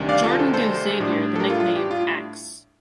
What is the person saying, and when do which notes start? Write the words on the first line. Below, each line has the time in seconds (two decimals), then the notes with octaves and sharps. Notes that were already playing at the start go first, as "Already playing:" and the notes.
Jordan gives Xavier the nickname "X".
Already playing: D2 C3 D#3 G3 D4
0.09 D5 F5
0.23 F4 A4
0.39 A4 C5
0.54 A4 C5
1.00 A2 G3 D4
1.36 A4
1.39 G4 A#4
1.50 F4 A4
1.60 F4
1.76 G4
1.91 F4